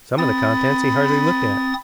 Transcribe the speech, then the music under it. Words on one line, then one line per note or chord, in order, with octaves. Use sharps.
Some of the contents he hardly looked at.
C4 B5 D#6 A6